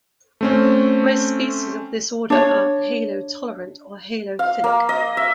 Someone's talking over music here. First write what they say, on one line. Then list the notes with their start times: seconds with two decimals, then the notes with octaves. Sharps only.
Most species of this order are halotolerant or halophilic.
0.41 A3 C4 C#4
2.30 D4 C#5
4.39 F5
4.64 A#3
4.89 D#5
5.17 E5